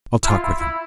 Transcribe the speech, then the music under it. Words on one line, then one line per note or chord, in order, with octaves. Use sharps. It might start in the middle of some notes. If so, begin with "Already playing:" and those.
I'll talk with him.
E4
F4
E4
E4